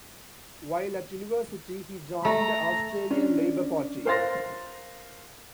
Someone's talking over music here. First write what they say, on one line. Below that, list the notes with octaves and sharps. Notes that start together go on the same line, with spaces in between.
While at university, he joined the Australian Labor Party.
A3 E5 A#5
C#4 D4
A#4 C5 F5 C6 A6 A#6